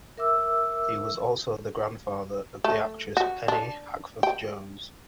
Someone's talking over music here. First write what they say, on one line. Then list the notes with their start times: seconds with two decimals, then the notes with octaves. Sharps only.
He was also the grandfather of the actress Penne Hackforth-Jones.
0.17 A#4 E5 D6 E6
2.64 A3
3.17 F#4
3.48 D4
4.23 G5